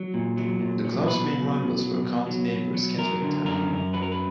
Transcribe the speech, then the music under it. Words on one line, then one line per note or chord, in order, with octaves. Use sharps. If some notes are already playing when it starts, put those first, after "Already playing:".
The club's main rivals were county neighbours Kettering Town.
Already playing: F#3
A#2
F#3
A#2
F#3
B2 B4
F#3
B2
F#3
B2
F#3
B2
F#3
F#3 A#4
D3
F#2 A#4
F#2
F#3 B4
A#4
B4